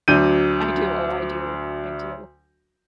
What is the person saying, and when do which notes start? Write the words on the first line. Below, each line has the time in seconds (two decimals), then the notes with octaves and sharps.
I do. Oh, I do, I do.
0.08 D2 F#3 D4 G6 D#7